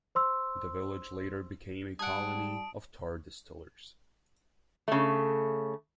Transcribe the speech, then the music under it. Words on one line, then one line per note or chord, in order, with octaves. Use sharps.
The village later became a colony of tar distillers.
C5 C6 E6
G3 F#5 G#5 A5 D#6 D7
C#3 A3